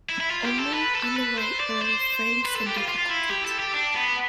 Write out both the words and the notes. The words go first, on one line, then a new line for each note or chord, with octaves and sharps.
Only on the right were the Franks in difficulties.
E4
E4
F4
G4
A4
B4
A4
B4
C5
D5
C5
B4
A4
G4
F4
F4
E4
G4
A4
G4
D4
B3